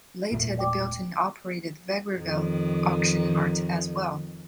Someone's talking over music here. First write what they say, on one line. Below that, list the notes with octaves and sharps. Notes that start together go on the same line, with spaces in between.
Later they built and operated the Vegreville Auction Mart as well.
E1 A#2 A3
D5 G5 D6
F2 D#3